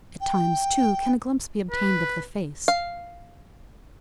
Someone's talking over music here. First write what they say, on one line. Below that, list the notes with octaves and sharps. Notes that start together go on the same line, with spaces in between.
At times too can a glimpse be obtained of the face.
G5
B4
F5